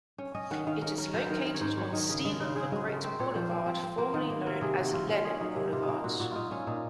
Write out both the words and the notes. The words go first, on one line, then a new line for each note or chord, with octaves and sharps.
It is located on Stephen the Great Boulevard formerly known as Lenin Boulevard.
C#4
C#4 D#5
D#3 F#5
D#3 F5
C#4 A#4
C#4 A#4
F#3 C5
D#3 A#4
D#3 A#4
C#5
G#2 C5
F#3 C#5
D#3
C#3 G#4
G#3 G#4
C#3 C5
C#3 G#4
G#3 F#4
G#3 A#4
C4 C5
A#2 C#5
F3 C5
C4
C4
C4
A#3 C5
D#3
A#3
C3 A#4
C3 G#4
C3 F#4
C3 F4
C#4 F4
C#4 G#4
F#3 D#4
C3
C3 F4
D#4
A#3 F4
A#2 F#4
A#2 F#4
A#2 D#4 F4
A#2 C#4
A#2 D#4